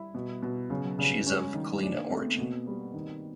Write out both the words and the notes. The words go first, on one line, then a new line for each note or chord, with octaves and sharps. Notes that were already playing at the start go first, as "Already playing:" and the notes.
She is of Kalina origin.
Already playing: G3 E4
B2
B2
C#3 F#3
F#3
C#3 G3
G#3 C#4
D#3
A3 D4
A#3
A3 C4
B3
B2 A#3
G3
D#3